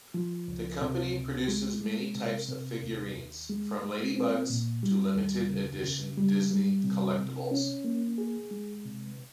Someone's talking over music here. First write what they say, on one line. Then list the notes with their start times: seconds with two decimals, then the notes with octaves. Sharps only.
The company produces many types of figurines from ladybugs to limited-edition Disney collectibles.
0.14 F3
0.48 C#2
0.82 C3
1.15 C#2
1.48 G#3
1.82 G#3
2.15 C3
2.48 C3
2.82 D#2
3.15 D#2
3.50 G#3
3.83 G#3
4.16 C4
4.50 A#2
4.83 G3
5.16 D#2
5.50 C#3
5.84 C#3
6.17 G3
6.50 G3
6.84 C3
7.18 C3
7.51 C#4
7.84 A#3
8.18 G#4
8.51 G#3
8.85 C3